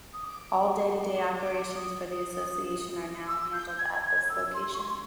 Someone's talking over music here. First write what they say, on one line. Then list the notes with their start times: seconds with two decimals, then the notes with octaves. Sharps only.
All day-to-day operations for the Association are now handled at this location.
0.13 D#6
0.24 D6
1.00 D6
1.38 D6
1.76 D#6
3.28 E6
3.53 G6
3.78 G#6
4.03 G#6
4.29 E6
4.54 C6
4.74 C#6
4.80 C6